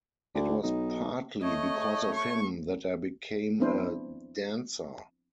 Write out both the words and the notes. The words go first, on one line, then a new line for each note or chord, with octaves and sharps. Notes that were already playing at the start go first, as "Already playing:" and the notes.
It was partly because of him that I became a dancer.
D2 D4
B1 D#4
A3 C#5 D#5
C#6
F3 B3 C4 D4 E4 C5